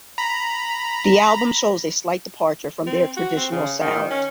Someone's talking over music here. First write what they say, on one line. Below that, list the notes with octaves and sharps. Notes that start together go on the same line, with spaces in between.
The album shows a slight departure from their traditional sound.
A#5 B5
C4
F#4
C4
C#3
D#3
C#4